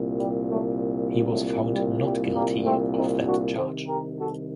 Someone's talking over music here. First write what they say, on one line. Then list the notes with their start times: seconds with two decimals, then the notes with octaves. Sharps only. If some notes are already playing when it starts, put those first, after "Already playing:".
He was found not guilty of that charge.
Already playing: C2 A#2
0.18 G3
0.49 F#3 A3
1.26 F#3 A3
1.72 G3
2.03 G3
2.33 G3 A#3
2.64 A3 C4
2.95 C4 D#4
3.26 D4 F#4
3.56 C2 C3 D#3 A4 C5
3.87 G4 A#4
4.18 F#4 A4